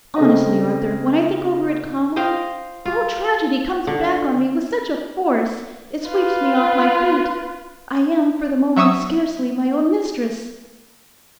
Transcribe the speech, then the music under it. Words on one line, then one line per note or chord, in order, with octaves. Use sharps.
Honestly, Arthur, when I think over it calmly, the whole tragedy comes back on me with such a force it sweeps me off my feet; I am for the moment scarcely my own mistress.
C#3 A3 C4 D#5
C5 D#5 F5 G5
F4
D3
F4 B4
F#3 E5 C#6 D#6 E6